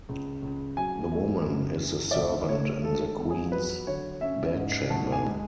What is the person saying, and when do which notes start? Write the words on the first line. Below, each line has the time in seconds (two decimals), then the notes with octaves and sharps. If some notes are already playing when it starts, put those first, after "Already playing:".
The woman is a servant in the queen's bedchamber.
0.09 C#2
0.42 C#2
0.77 F#3 G#5
1.12 A3
1.45 F#2
1.80 E3
2.11 D5
2.14 D2 E5
2.49 A3 C#5
2.83 G#3 A4
3.06 A4
3.18 E2
3.30 G#4
3.52 F#3 B4
3.87 D3 C#5
4.21 C#4 E5
4.55 G#2
4.90 D2 A5
5.12 G#5
5.25 G#3